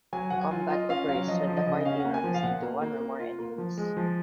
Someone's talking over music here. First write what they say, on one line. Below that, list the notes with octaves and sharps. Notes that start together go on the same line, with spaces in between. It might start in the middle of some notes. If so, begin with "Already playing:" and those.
Combat occurs when the party runs into one or more enemies.
F#3 G#5
F#3 F#5
G#5
F4
F4 D#5
C#4 F5
F#3 F5
F3 D#5
F3
D#5
C#3
D#5
C#4 F5
F#5
A#3
G#5
F3
F5
A#2 F#5
A#3
A#3
A#3
F4
A#3
F3
G#3
F3